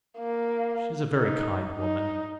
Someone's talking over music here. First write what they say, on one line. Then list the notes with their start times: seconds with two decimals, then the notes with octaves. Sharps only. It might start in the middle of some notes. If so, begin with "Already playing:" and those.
She is a very kind woman.
0.18 A#3
1.17 D#4
1.78 D#4